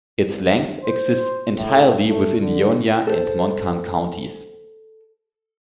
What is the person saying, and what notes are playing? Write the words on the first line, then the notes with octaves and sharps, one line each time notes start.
Its length exists entirely within Ionia and Montcalm counties.
C2
C5
A2
A3
D3
A4 C5